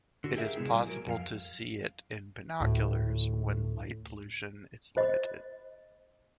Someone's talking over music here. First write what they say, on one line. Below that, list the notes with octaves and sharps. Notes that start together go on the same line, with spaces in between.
It is possible to see it in binoculars when light pollution is limited.
D3 F#4
G4 G#4 A#4 E5 F5
C3 G#3 B3 E4 G#4
A#2 G3 A#4 G#5
F#3 A#4
F2 F#4 F5
D2 A2
C5 D#5